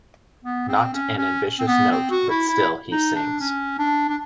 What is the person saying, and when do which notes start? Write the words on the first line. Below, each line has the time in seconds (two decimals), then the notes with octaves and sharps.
Not an ambitious note, but still he sings.
0.44 B3
0.68 C4
0.94 C#4
1.18 C#4
1.59 C4
1.68 B3
1.92 C4
2.11 F#4
2.30 E4
2.48 E4
2.92 D#4
3.16 D4
3.40 C#4
3.79 D4
4.09 D4